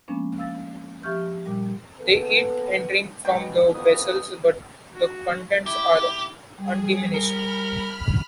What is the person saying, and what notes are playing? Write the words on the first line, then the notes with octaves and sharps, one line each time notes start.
They eat and drink from the vessels, but the contents are undiminished.
F3 G#3 A#3 B3 C#4 D4
F5 E6 A6
F3 G4 E5 C#6 F6 G6
A#2 G3
A#3 B3 G#4 A4 B4
B2 G#3 G5
F2 B3 D#6
F#4
E4 G4
E4
G3 G#4
A#4 B5 F6